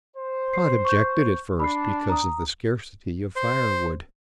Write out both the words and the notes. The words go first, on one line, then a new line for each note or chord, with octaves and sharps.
Pod objected at first, because of the scarcity of fire-wood.
C5
C7
C#6 G6
D4 B5 C7
A#5 D#6
C5